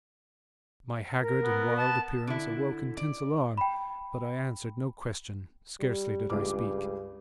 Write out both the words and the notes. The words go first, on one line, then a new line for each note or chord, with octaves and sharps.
My haggard and wild appearance awoke intense alarm, but I answered no question, scarcely did I speak.
A#4
B3
A5
D3 E4
D5
G5 B5
G3
C#2 G2 G#4 D6